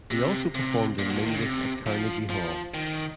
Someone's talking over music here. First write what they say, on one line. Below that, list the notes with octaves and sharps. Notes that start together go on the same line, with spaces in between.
He also performed in Mingus at Carnegie Hall.
C3
C3
A#2
F#3
F3
D#3
C#3
C3
F3
F3
D#3